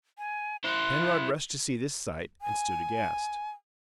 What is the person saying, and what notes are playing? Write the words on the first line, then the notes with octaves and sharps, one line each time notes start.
Penrod rushed to see this sight, and stood aghast.
G#5
E4 C5 F#6
G#5